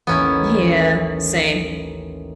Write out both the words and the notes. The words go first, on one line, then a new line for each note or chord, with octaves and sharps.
Yeah, same.
A1 D#2 B3 C#4 E4 D#5